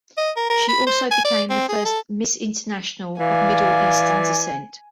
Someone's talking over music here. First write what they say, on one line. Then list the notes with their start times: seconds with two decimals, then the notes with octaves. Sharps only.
She also became the first Miss International of Middle Eastern descent.
0.18 D#5
0.36 A#4
0.50 A#4
0.68 B5
0.87 C5
1.11 G#5
1.25 D5
1.50 C4
1.69 G#4
1.85 A4
3.20 E3 D5 F5 G#5